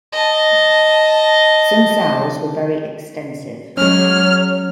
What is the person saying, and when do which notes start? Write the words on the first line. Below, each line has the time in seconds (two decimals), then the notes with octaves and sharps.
Some soughs were very extensive.
0.12 D#5 A5
3.77 F#3 G#3 C#4 C#5 F6